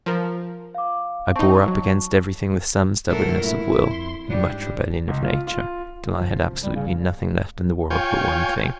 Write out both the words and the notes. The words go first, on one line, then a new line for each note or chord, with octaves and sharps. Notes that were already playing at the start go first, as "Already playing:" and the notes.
I bore up against everything with some stubbornness of will and much rebellion of nature, till I had absolutely nothing left in the world but one thing.
F3 A#4
F5 D6
C4 D#4 A5 C#6
F#3
G2 A#2 F#3 A3 A4 A#4
E4
F2 C6
G#2 G3 D4
C#2
F4
F4
G1 C2 F3
C#2 B2 G3
G2 C#3
F4 C#5 G5 G#5